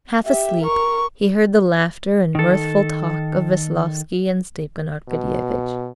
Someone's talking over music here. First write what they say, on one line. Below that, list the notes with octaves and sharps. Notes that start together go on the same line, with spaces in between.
Half asleep, he heard the laughter and mirthful talk of Veslovsky and Stepan Arkadyevitch.
G4 E5
A#4 C#6
D#3 A4
B2